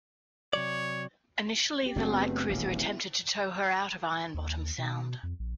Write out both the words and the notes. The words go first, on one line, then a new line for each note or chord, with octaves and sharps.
Initially, the light cruiser attempted to tow her out of Ironbottom Sound.
C3 F#3 C#5 D5
C4 G4
F#1 A3 C4 D4 F#4 G#4
B3
D#1 A1
E4
D#2
B2
F2
A#1